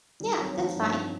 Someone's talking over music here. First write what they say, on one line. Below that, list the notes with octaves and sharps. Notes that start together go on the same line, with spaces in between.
Yeah, that's fine.
D#3 G3
F#3 C4
F#3
D#3 F3
G2
C4